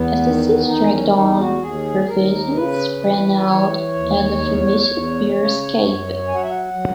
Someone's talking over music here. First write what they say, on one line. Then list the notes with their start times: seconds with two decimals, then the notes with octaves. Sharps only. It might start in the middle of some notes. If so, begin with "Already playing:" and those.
As the siege dragged on, provisions ran out and the famished bear escaped.
Already playing: E2 B3
0.21 D#3
0.67 E2 D#4
0.92 C#4
1.14 E2 D#4
1.38 F#4
1.61 D#2 G#4
2.07 D#2 A#4
2.54 C#3 B4
3.01 E3
3.37 B4
3.48 E3 C#5
3.94 D#2
4.41 E2
4.88 E2
5.34 C#3
5.82 F#2
6.28 F#3 G#5
6.35 F#5
6.43 E5
6.50 F#5
6.74 F#3